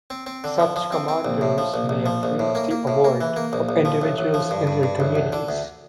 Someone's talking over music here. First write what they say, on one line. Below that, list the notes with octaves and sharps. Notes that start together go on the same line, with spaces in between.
Such commanders may approve the award for individuals in their communities.
C4
C4
D3
F3
F3
C4
C4
A#1
A2
F3
A#1
A#1
F3
A#1
A2
A#3
A#3
A2
A#3
E3
A#3
A#1
A#1
F3
A1
A1
F3
G2
G2
G2
A1
D2
D3
D2